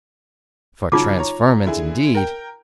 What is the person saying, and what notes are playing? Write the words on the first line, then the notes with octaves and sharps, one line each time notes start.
For transferment, indeed!
C#3 F#3 D#4 F4 D6
C#5 A#5
D3 E4 G#4
A#4 G5